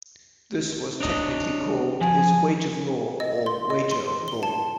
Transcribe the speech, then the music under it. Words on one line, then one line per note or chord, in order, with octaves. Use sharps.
This was technically called his "wage of law" or "wager of law".
D4 C#5 D#5
F3 G#5
D#5
C6
D#5
C6
G7
A5